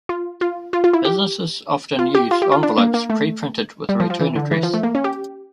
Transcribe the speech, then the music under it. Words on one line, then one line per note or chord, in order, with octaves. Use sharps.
Businesses often use envelopes preprinted with a return address.
F4
F4
F4
F4
E4
G4
F4
G4
F4
G4
F4
D4
A#3
A#3
A3
G3
F3
F3
E3
D3
E3
F3
A3
A#3
C#4
G4